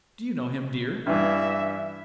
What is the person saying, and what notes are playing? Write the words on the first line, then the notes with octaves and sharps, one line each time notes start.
"Do you know him, dear?"
G2 E3 E5